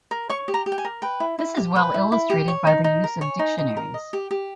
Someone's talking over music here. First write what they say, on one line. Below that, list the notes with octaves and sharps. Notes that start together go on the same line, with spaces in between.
This is well-illustrated by the use of dictionaries.
A#4
C#5 C#6
G4
A#5
G4
G5
G#5
A#4
B4 G5
E4
E4
G4
B4 G5
E4
E4
G4
C#5
D#4
D#4
A#4
C#5 G#5
D#4
D#4
A#4
D#5
G4
G4